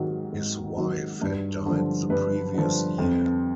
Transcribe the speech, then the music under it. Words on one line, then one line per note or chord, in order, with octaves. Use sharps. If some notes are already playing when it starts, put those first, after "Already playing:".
His wife had died the previous year.
Already playing: G#2 D#3 F#3
G#2
D#3 F#3
G2
D3 F3
G2 B4
D3 F3
F2